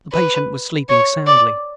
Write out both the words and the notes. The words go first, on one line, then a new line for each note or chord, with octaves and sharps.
The patient was sleeping soundly.
B4
C#5
D5